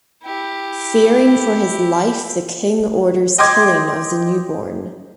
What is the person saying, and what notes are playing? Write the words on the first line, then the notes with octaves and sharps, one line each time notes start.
Fearing for his life, the king orders killing of the newborn.
E4 G4
D#5 G5 C6 D6 G#6